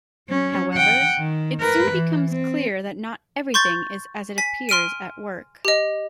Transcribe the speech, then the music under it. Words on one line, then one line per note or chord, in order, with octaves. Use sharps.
However, it soon becomes clear that not everything is as it appears at work.
F#3 C#4
F#5 G5
D#3
A#4 B4
E3
C4
C6 C#6 G6 A6
G#5 B6
C6 F6 D7 D#7
G4 D#5